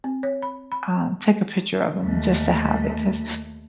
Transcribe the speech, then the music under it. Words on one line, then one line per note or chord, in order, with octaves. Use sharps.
um, take a picture of 'em just to have it 'cause
C4
C#5
B5
B5
D#2 A3